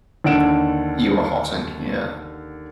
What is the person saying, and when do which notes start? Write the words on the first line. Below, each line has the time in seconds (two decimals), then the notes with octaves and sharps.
You are hot in here!
0.24 D#2 D3 F#5 D7 E7